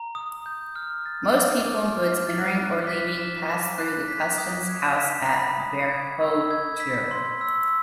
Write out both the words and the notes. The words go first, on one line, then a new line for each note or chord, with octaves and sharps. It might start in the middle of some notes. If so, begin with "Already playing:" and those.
Most people and goods entering or leaving passed through the customs house at Verkhoturye.
Already playing: A#5
D#6
G6
F6
A6
D6
D6
F6
A6
F#6
B6
E7
D6
F#6
B6
D#6
G#6
B6
B5
D#6
G#6
E6
G#6
B6
C6
E6